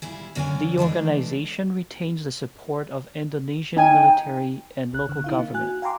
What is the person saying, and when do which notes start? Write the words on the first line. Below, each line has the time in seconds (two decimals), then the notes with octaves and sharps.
The organization retains the support of Indonesian military and local government.
0.02 A#2 G3 E4 G#4
0.35 F#2 D3 A#3 C#4 D4 G#5
0.77 E3 G#3 A3 D4
3.77 D#4 G5 G#5
4.93 B1 F#6
5.09 D3 F#6
5.24 D#4 E4 F5
5.38 A#3
5.54 F#4 G#5 F#6
5.82 F5 G5 G#5 A#5 C6 D6